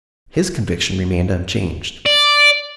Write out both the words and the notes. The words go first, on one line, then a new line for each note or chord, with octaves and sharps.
His conviction remained unchanged.
D5